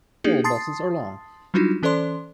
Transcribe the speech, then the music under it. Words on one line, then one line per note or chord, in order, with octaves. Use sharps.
All buses are long.
A#3 D4 D#4 G4 G#4
A5 C6 D#6 A6 C7
F#3 G3 D4 D#4 F4 F#4
E3 C#4 A4 C5 D5 C6